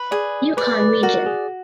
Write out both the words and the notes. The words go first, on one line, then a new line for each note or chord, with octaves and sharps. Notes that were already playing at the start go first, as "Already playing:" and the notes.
Yukon region.
Already playing: B4
G#4 D5
B4 D5
B4
F#4 A#4
G#4